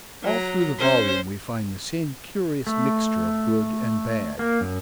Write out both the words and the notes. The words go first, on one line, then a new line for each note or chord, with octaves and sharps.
All through the volume we find the same curious mixture of good and bad.
F#3 A#5
C#4 C5
A3
A#3
F#2